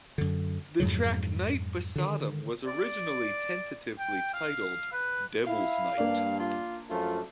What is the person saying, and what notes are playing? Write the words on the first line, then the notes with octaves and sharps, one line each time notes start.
The track "Night, BeSodom" was originally tentatively titled "Devilsnight".
F#2 D3
F2 G#2 C#3 F#3
D3 D#3
D5
G5
F5
B4
E4 F5
G2 A#3 D4 D5
F4
F#2 F3 A3 F4